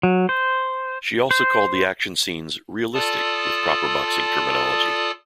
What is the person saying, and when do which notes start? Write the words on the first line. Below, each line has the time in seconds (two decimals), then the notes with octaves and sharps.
She also called the action scenes "realistic" with proper boxing terminology.
0.03 F#3
0.29 C5
1.31 C5
2.94 F4 A4 D5 A5 D#6